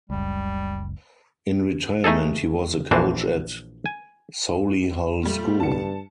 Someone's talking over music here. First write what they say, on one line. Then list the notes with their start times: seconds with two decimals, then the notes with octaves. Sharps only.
In retirement he was a coach at Solihull School.
0.10 F#1 C#2 G3
2.04 A3 D#4 G#4 A4
2.91 A#1 E3 D4 F#4 C5
3.86 G#5
5.23 A#2 G3 A3
5.60 G2 A5 C#7